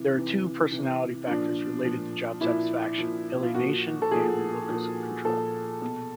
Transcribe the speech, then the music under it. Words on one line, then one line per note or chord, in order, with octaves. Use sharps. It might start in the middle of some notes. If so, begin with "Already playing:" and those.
There are two personality factors related to job satisfaction, alienation and locus of control.
Already playing: C3 E3
C3 E3
C3 E3
A#2 F3 D4
A#2 F3
A#2 F3 E4
A#2 F3
F4
A#2 F3 F#4
A4
A#2 F3 G#4
A#2 F3
A#2 F3 A4
B2